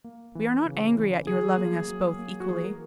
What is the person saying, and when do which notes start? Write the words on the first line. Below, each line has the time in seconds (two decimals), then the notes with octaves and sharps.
We are not angry at your loving us both equally.
0.04 A#3
0.35 E3
0.66 C#3
0.97 E3
1.27 F#3 G#4
1.57 A#3
1.88 F#3
2.18 A#3
2.40 F#4
2.49 E3 G#4
2.64 A#4